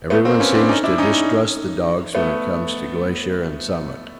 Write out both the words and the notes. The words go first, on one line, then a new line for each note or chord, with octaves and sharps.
Everyone seems to distrust the dogs when it comes to glacier and summit.
A3 B3
A#3 C4
B3 C#4
C4 D4
C#4 D#4
D4 E4
C#4 D#4
A3 B3